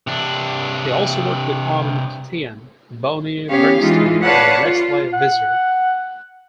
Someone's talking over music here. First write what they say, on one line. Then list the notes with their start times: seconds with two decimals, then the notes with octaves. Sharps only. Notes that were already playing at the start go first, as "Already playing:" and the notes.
He also worked with Armen Keteyian, Bonnie Bernstein and Lesley Visser.
0.07 C3 D4
3.49 B3 C#4 G4 C#5 F5
3.80 E3 G#3 D#4 F4
4.24 B4 C#5 D5 F5 F#5 A5
4.65 F4
5.13 F#5